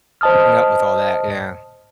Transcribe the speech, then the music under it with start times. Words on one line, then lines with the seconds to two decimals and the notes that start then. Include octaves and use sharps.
keeping up with all that, yeah.
0.21 C5 D#5 A5 D#6 F6